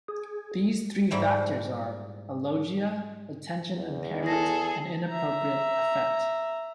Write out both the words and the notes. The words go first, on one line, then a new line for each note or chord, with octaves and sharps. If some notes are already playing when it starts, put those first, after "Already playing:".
These three factors are: alogia, attention impairment, and inappropriate affect.
G#4
G#2 G3 E4 C5
E2
E4 G#4 A4 A#6
E5 A#5